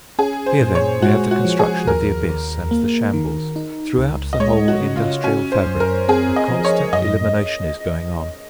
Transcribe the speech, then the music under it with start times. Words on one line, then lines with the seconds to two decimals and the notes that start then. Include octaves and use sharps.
Here, then, we have the construction of the Abyss and the shambles. Throughout the whole industrial fabric a constant elimination is going on.
0.19 C#4 G#4
0.46 C5
0.61 A#2
0.75 C#5
1.02 G#3 F#4
1.31 F#4
1.45 F3
1.59 G#4
1.87 D#2 A#4
2.29 D#2
2.71 A#3
3.14 D#3
3.56 D#4
3.98 C#2
4.33 D#5
4.40 G#3 C#5
4.68 F#4
4.82 C#3
4.96 F4
5.24 C#4 F#4
5.52 C5
5.66 F#2
5.80 A#4
6.08 C4 G#4
6.36 D#5
6.50 F3
6.65 C#5
6.93 F#2 D#5